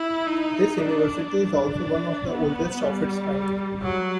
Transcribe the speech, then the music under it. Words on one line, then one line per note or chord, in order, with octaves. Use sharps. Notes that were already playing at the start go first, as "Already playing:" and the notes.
This university is also one of the oldest of its kind.
Already playing: E4
D#4
D4
D4
B3
G3
F#3